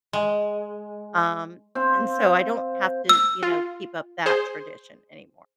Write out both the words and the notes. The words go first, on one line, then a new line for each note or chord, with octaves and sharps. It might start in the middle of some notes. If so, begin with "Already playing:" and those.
um, and so I don't have to, you know, keep up that tradition anymore,
G#3
C4 C5 F5
E6
F4
G#4 C5